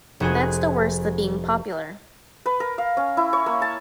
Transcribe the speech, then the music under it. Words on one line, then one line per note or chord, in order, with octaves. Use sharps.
That's the worst of being popular.
F1 F#4 G#4 C5 G#5
B4
A#4
F5
C#4
E4
C#5
A#3
A5